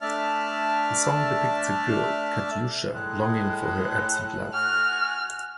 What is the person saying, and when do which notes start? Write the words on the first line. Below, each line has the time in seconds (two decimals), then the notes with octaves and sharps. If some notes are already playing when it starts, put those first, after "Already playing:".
The song depicts a girl, Katyusha, longing for her absent love.
0.01 A3 D4 D5 E5 A5 F6
2.94 A2 G#3 F#6
4.53 F#4 F#5 G#5 F6